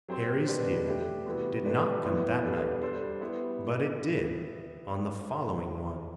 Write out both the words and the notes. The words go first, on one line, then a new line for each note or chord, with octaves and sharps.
Harry's deer did not come that night, but it did on the following one.
F#3 C4 G4 C5
B2 G3 D4 G4 B4
A3 D4 G4
C3 E3 G3 B3 F#4
A3 D4 G4 B4
A2 E3 B3 E4
G3 B3 D4 A4
G3 D4 A4 C5
G3 B3 E4